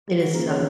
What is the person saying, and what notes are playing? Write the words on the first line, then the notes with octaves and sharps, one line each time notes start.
It is tough.
F#4
G#4
C#3 A#3 A#4
C#5